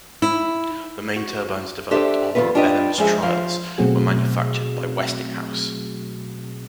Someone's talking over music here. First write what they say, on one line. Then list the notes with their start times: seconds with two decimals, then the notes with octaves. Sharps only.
The main turbines developed on "Benham"'s trials and were manufactured by Westinghouse.
0.22 E4
1.16 F#4
1.91 D4 G4 A4 C5 D5 E5
2.35 F2 D#3 B3 C4 F4 B4
2.55 D4 F4 G4 B4 D#5
2.98 F3 G#3 G#4 E5
3.22 F3 F5
3.78 B2 F#3 A3 C4 F#4 G#4